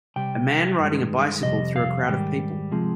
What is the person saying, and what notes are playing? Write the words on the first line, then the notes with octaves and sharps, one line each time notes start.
A man riding a bicycle through a crowd of people.
C3 G3 G5
G2 D#3 G#3
F2 C3 G3 D#5
F5
G#2 D#3 G3 G5
C3 F3 G#3